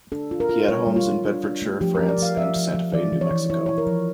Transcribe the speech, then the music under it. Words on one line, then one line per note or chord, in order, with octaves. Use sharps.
He had homes in Bedfordshire, France, and Santa Fe, New Mexico.
D4 A4
F4
A#4
F4
G3 C#5
G3
F4
G3
D4
D4
A3
F3 G4
F3 A#4
D5
F3 F5
F3 E5
F3
F3
E3 D5
E3
C#5
E3
E4 C#5
E4 C#5
A#4
F3